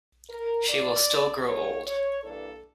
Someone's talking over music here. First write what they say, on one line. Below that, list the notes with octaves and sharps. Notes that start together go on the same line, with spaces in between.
She will still grow old.
A#4
A2 E3 A#3 D4 D5
E2 C#3 G3 C#5
C#5
G2 E3 A#3 D4 A4